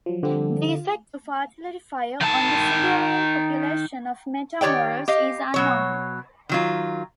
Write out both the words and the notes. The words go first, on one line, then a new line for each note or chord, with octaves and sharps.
The effect of artillery fire on the civilian population of Matamoros is unknown.
F3 F#3
D3 F3 G3 C4
F4
D#3 A5
D#3 G4 C#5 D5 G5
G4 D#5 F5
B2 F#3 C#5
D#3 F#3 F4